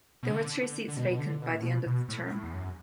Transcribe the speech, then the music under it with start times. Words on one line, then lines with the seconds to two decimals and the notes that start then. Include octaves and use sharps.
There were two seats vacant by the end of the term.
0.23 B2
0.30 D3
0.88 D3
0.97 B2
1.10 B2
1.19 D3
1.42 B2
1.53 A2
1.63 B2
1.86 B2
2.08 A2
2.31 A2
2.44 E2
2.54 F#2